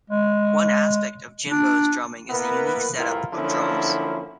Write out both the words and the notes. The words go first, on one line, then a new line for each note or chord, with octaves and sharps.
One aspect of Jimbo's drumming is the unique setup of drums.
G#3
D4
A#3 B3 E4 A#4 B4
C2 A2 E3 E4 F4 A#4
D3 F3 F#3 A#3 C#4 E4